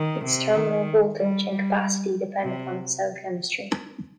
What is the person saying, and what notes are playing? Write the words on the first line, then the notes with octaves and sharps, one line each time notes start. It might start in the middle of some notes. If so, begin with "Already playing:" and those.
Its terminal voltage and capacity depend upon its cell chemistry.
Already playing: D#3
C3
D#3
G3
G3
C3